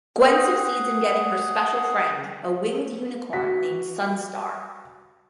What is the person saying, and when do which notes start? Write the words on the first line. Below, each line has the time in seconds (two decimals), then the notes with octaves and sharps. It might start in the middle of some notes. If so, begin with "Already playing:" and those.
Gwen succeeds in getting her Special Friend, a winged unicorn named Sunstar.
0.24 G#4 F#5
3.33 F#4 B6